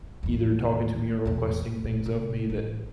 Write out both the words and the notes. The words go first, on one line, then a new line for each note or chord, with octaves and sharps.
either talking to me or requesting things of me that
A1 D#2
E2 B2
C#3
A#2
C3
A1